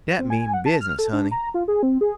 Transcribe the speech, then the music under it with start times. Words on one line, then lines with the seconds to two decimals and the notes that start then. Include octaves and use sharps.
Dat mean business, honey.
0.19 C4
0.30 G#5
0.54 F#5
0.66 A5
0.81 F6
0.99 A4
1.13 D4
1.31 A#5
1.54 F4
1.68 G#4
1.83 C4
2.01 G#4